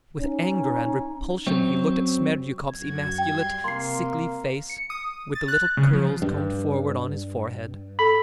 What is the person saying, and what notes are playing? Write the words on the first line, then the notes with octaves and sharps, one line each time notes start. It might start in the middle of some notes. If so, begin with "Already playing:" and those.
With anger and repulsion he looked at Smerdyakov's emasculate, sickly face, with the little curls combed forward on his forehead.
C#4 D#4
F#2 F#3 C4
F#2 F#4 G#6
G3 G5 C6
C3 A#3 C6 C7
C#7
D#6
A6
F#6
C#3
F3
G2
A4 B5